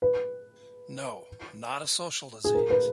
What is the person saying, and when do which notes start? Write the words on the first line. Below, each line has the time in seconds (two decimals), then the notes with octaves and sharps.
No, not a social disease.
0.02 B4
2.44 G#4
2.55 A#4
2.70 B4